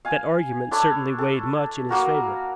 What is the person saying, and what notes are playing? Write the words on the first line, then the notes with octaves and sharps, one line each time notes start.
That argument certainly weighed much in his favor.
F5 G#5
D4 E4 A4 C#5
A4
A#3 F#4 A#4